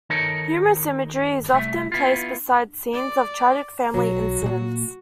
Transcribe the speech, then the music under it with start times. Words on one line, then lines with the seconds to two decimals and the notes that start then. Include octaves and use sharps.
Humorous imagery is often placed beside scenes of tragic family incidents.
0.10 D#3 D#4 A4 A#4 C#5
1.53 C2 A3 E5
1.92 B3 E4 F4
2.93 D5
3.94 B1 F#3 F#4
4.42 A#2 A#3